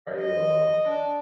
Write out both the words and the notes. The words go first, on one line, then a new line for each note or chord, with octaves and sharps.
Are you alone?
D#5
D4